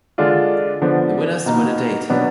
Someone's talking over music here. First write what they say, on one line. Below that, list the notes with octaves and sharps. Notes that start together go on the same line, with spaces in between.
The winners win a date.
D3 G#3 D4 F4
D3 F3 B3 D4
B2 A#3 D#4
B2 F#3 B3 D4